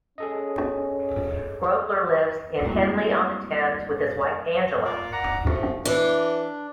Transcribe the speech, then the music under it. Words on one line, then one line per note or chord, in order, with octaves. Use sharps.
Grobler lives in Henley-on-Thames with his wife Angela.
C#4 G#4 A4 D#5
G3 A3 A#3 C4 E4 F#4
A#3 F4 D5
D5 F#5 A#5
F3 A3
E3 D4